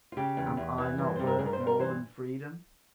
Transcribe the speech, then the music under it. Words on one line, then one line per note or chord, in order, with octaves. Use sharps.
Am I not worth more than freedom?
F4
C#3 G4
E2
E2
E3
G2
G2 C5
A#4
G2 G#4
A#4
C5
G2
A#4
E3 C5